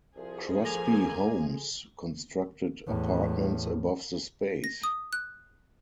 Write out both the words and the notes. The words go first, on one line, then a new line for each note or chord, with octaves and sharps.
Crosby Homes constructed apartments above the space.
C2 F3 G#4
A#3 A4 G#5 A#6 F7
E2 A2
A#6
D#6
F#6